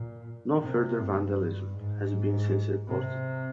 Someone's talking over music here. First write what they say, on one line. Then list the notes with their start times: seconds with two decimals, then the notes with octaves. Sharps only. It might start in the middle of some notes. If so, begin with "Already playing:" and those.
No further vandalism has been since reported.
Already playing: A#2
0.60 C3
0.99 G2
1.75 G#2
2.88 C3